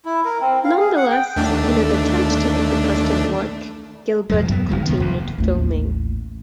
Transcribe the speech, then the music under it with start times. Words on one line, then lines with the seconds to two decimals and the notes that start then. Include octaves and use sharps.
Nonetheless, in an attempt to make the casting work, Gilbert continued filming.
0.05 E4
0.25 A#4
0.41 C4
0.64 F5
0.80 G#4
0.97 F#5
1.11 G5
1.36 D#2 A3 D4
4.30 E2 F3 G#3
4.49 F#2 F#3 B3
4.69 F1 D2 D#3 G#3
4.87 D1 C3 D#3 B3
5.00 D#1 A#1 F2
5.38 A1 D#2 A3